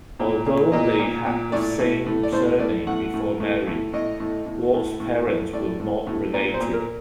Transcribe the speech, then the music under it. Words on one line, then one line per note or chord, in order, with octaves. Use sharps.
Although they had the same surname before marriage, Ward's parents were not related.
A#2
A#2
A#2 D#5
A#2
A#2
A2 D5
A2
A2
D5
A2 C5
A2 D5
A2 F#5
A2
A2
A2
A2 D#5
A2
A2
A2
A2
A2
A2 D5
A2
A2
A#2 D5
C5
A#2
A#4